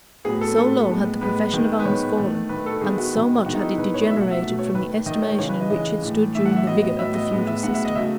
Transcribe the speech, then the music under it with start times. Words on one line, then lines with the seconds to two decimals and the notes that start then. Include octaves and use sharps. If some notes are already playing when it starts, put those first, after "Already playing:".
So low had the profession of arms fallen, and so much had it degenerated from the estimation in which it stood during the vigor of the feudal system!
0.25 A2 F#3 B3 G#4
0.41 A4
0.57 A2 F#3 B3 A4
0.89 A2 G#3 B3
1.21 A2 G#3 B3 B4
1.53 D#3 G#3 B3
1.80 B4
1.85 D#3 G#3 B3 C#5
2.17 D#3 A3
2.49 D#3 A3 B4
2.66 A4
2.81 D#3 G#3 B3 G#4
2.98 F#4
3.13 D#3 G#3 B3
3.46 D#3 G#3 B3 F#4
3.55 D#4
3.63 E4
3.78 D#3 G#3 B3 B4
3.94 C#5
4.10 B2 F#3 A3 E5
4.21 F#5
4.31 E5
4.42 B2 F#3 A3 E5
4.59 C#5
4.74 D#3 A3 B4
5.06 D#3 D#5
5.11 A3
5.22 C#5
5.39 C#3 E3 G#3 C#5
5.49 B4
5.60 D#5
5.70 C#3 E3 G#3 D#5
6.03 A2 E3 A3
6.35 A2 E3 A3 E5
6.45 F#5
6.56 E5
6.67 A2 F#3 B3 D#5
6.83 D#5
6.98 A2 F#3 B3 E5
7.15 D#5
7.31 A2 G#3 B3
7.47 E5
7.63 A2 G#3 B3 F#5
7.74 E5
7.85 D#5
7.95 C#3 F#3 A3 E5